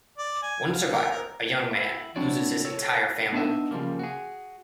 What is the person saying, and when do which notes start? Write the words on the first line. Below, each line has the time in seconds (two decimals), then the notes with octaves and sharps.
One survivor, a young man, loses his entire family.
0.18 D5
0.42 G#5
0.73 F5
0.93 A#4
1.10 A#4
1.71 E4 E5
2.16 C4 D4 E4 F#4 C#5 D5
2.65 A4 C#5
3.32 B3 D4 D#4 D#5 E5
3.71 C#3 F3 G3 A#3
3.99 F#4 G#4